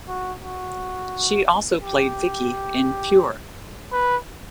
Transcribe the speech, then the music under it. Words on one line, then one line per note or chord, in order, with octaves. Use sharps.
She also played Vicki in "Pure".
F#4
F#4
G4
B4